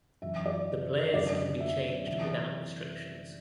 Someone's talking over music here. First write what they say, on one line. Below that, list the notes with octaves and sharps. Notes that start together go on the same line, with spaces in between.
The players can be changed without restrictions.
F#2 E3 E5
D5
F#2 D3 D5
E5
C3 E3 E5